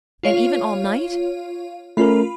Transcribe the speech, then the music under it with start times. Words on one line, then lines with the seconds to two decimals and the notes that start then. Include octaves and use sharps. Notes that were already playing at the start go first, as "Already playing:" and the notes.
"And even all night?"
0.23 F4 C#5 F5
1.97 A3 C#4 F4 A#4 B5